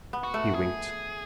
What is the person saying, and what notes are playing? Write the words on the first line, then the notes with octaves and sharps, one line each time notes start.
He winked.
B3
F#4
A3
G#4